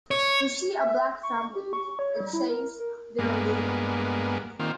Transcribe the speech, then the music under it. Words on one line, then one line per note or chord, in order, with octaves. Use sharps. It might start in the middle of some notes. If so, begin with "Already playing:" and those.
You see a black family, it says, 'They're looting.
C#5
E5
C#6
G4
C#6
C#5
G3
E4
A#4
A#4
G2 G#3 A#3 B3
D#3 A#3 C4 F4